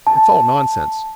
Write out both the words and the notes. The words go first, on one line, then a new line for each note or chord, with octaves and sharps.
It's all nonsense...
A5